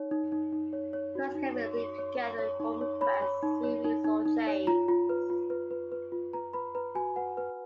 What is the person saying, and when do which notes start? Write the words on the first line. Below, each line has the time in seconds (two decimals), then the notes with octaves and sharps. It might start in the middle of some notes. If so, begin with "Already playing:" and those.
Quests can be linked together to form quest series or chains.
Already playing: D#4 C#5
0.11 D#4
0.32 D#4
0.53 D#4
0.73 C#5
0.93 C#5
1.15 F#4
1.35 D#4
1.56 C#5
1.77 C#5
1.98 C#5
2.18 C#5
2.39 C#5
2.60 D#4
2.81 C#5
3.01 C#5 B5
3.22 C#5
3.43 D#4
3.63 C#5
3.84 D#4
4.05 D#4
4.26 D#4
4.47 C#5
4.67 F4 A#5
4.88 F4
5.09 B4
5.30 F4
5.50 B4
5.71 B4
5.92 B4
6.12 F4
6.33 B4 A#5
6.53 B4 B5
6.75 B4 A#5
6.95 F#4 G#5
7.16 B4 F#5
7.37 B4